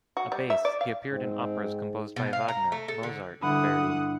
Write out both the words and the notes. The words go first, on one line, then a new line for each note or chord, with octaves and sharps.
A bass, he appeared in operas composed by Wagner, Mozart and Verdi.
F#4
G3
E5
D5
F5
G#2 C4
B2
F5
A#5
A3
A4
D3
G2 D3 E4 F#5 B5 D#6